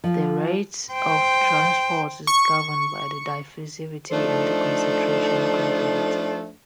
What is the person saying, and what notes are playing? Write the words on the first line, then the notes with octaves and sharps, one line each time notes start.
The rate of transport is governed by the diffusivity and the concentration gradient.
F3
C5 G5
C#6
F3 A3 D4 D#4 A4 C5